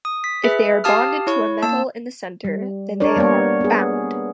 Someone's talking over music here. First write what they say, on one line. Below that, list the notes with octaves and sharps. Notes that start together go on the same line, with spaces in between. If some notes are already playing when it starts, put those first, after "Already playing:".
If they are bonded to a metal in the center, then they are "bound".
D#6
B6
G#4 B4 E5
G4 F5 A5 D#6 F6
E4 C#5 C#6
A#3 A5 E6
G3
D4 A#4 C#5 D5
G3 A#3 B3 C#5
B3 G#4